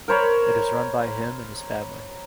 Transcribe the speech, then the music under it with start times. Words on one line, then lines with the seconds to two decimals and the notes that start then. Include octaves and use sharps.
It is run by him and his family.
0.08 A#4 C5 C#5 B5